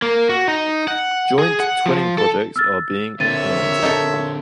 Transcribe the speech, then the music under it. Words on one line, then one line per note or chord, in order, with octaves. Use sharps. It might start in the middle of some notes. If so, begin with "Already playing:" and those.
Joint twinning projects are being implemented.
A#3
F#4
D#4
F#5
G#4
F#5
F3
A4
E6 F6 A6
D3 C4 A#4 C#5 E5 A6 D#7
D#4 A4